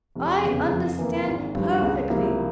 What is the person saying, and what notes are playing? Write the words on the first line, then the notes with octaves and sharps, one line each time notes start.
I understand perfectly.
F1
E2 C#3
F2
E3 A#3
G#1
G2 F3
C#2
C3 F3 A#3 E4